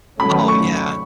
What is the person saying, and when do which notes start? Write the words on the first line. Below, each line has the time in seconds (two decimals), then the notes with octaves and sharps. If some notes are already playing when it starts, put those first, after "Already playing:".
Oh, yeah.
0.19 D#3 F#3 A3 C#4 B5
0.48 C#6